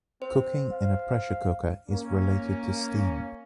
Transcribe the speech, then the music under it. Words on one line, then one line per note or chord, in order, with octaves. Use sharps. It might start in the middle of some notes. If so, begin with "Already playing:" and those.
Cooking in a pressure cooker is related to steam.
C4 C5
F5
A#3 C#4